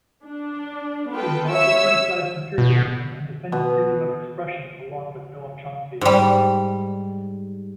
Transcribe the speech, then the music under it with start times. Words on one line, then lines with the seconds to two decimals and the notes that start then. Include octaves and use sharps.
He has also criticized imperialism and defended freedom of expression along with Noam Chomsky.
0.24 D4
1.11 B3 F4 A4 B4 G5
1.49 C#5 E5 E6
2.58 B2
3.52 B2
6.01 G#2 G3